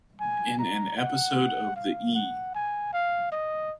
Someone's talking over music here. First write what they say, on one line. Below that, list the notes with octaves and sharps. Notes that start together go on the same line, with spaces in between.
In an episode of the E!
G#5
A#5
F#5
F5
F#5
G#5
F5
D#5